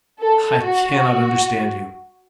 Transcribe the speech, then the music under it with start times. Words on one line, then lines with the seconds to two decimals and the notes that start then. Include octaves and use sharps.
"I cannot understand you!"
0.20 A4
0.63 F#4